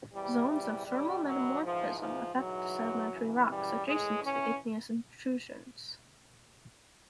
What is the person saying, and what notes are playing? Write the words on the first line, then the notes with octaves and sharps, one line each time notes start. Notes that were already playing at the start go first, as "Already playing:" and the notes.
Zones of thermal metamorphism affect the sedimentary rocks adjacent to the igneous intrusions.
E2 C3 E3 G3
G3
F#2 D#3 G3
F#3
G#2 E3 F3
F3
G#2 E3 F#3
F#2 C#3 E3
G3
A2 E3 G#3
C#4